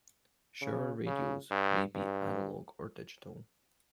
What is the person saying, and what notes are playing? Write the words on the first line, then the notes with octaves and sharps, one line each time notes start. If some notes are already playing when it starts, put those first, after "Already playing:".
Shower radios may be analog or digital.
C#3
C#3
G2
G2